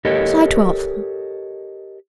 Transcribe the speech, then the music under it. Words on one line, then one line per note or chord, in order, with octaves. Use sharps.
July Twelfth.
G4 A4 A#4 C#5 D#5